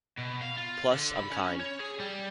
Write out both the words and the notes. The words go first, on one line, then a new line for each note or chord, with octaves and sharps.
Plus I'm kind.
B2
F5
F4
D3
B5
C#4
C#5
G#4
G3